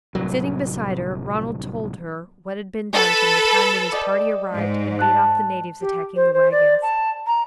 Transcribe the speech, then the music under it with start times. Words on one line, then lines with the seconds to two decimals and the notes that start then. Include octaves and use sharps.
Sitting beside her, Ronald told her what had been done from the time when his party arrived and beat off the natives attacking the waggons.
0.15 D1 C2 F#3
2.95 A4 B4
3.92 D5 D#5 G5
4.52 G#2
4.99 A5 F#6
5.81 G4
6.16 C5
6.33 C5
6.51 D5
6.82 A5
7.27 A#5